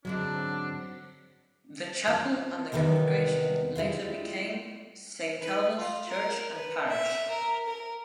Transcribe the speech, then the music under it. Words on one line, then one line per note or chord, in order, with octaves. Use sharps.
The chapel and the congregation later became Saint Alban's Church and Parish.
G#2 D3 F#3 C4 D4
F4
E2 C3 D#3 B3 B4
G3 G#3 E4 F4
B4
F4
A#4
B4
E5
A#4
A#4